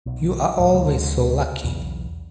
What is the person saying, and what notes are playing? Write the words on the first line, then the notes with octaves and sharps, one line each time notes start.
You are always so lucky.
B1
C#2 A2
D2 C#3 G#3
B1 E2 C#3